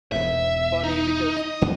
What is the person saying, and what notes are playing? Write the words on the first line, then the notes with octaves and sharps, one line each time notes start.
funny because
E1 E2 G#2 E5
D#4
D#5
C#2 C#3 B3